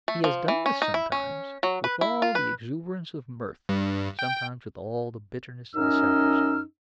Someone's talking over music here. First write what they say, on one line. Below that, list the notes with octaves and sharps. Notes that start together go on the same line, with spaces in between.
He has done this sometimes with all the exuberance of mirth, sometimes with all the bitterness of a satirist.
A3
F3
E3
C#4
D#4
E4
C#4
F#3
B4
E4
F4
B4
G2
G5
F#2 C#4 D#4 D#5 E6 F6